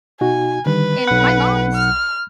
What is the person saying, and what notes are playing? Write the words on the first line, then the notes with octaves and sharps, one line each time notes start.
And my mom's
B2 D#4 F#4 G#5
D3 D#3 G3 B4
B1 F#5 B5 F#6
F6